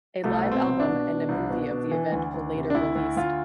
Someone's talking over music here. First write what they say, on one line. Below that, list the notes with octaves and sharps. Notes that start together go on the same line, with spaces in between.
A live album and a movie of the event were later released.
C2 A3
B2
C4
C2
D4
B2
B2
C2
B2
B2
E3
D2
D2
C3
D4
D2 E4
D2
D2 F4